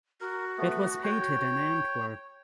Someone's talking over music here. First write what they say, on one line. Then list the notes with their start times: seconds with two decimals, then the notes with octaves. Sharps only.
It was painted in Antwerp.
0.21 F#4 A#4
0.58 A3 B3
1.04 C#5 G5